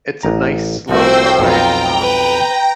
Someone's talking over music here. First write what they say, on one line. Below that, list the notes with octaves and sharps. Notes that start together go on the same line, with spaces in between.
it's a nice slow ride, um,
A1 A#5
C2 F3 A3 F#4 C5 G5 E6
B1 F2 B3 F4 G5 A#5
B4